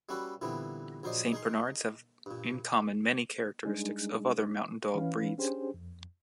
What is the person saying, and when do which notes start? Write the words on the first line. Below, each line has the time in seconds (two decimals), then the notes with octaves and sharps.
Saint Bernards have in common many characteristics of other Mountain dog breeds.
0.09 G3 A#3 C#4 F#4 A4 B4
0.41 A#2 D3 E3 G3 B3 C4
1.03 A#1 F#3 A#4 C5 D5 D#5
1.32 D#4 G#4 A#4 C6
2.26 G2 A#2
3.65 G3 G#3 D4 D#4 G#4
4.95 E3 C#4 B4 F5
5.38 C#4 D4 G4 G#4 C5
5.74 F2